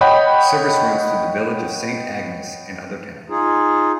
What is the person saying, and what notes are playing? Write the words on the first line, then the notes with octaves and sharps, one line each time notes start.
Service runs through the village of Saint Agnes and other towns.
C#5 D#5 F#5 G5 B5
D#4 F4 G#4